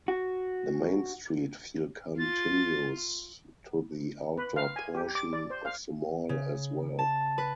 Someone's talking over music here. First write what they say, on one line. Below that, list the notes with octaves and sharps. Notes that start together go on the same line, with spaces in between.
The Main Street feel continues to the outdoor portion of the mall, as well.
F#4
F4 A6
B4
F5
G#5
G4
D6
D5
C5
F5
C#3
A5
B4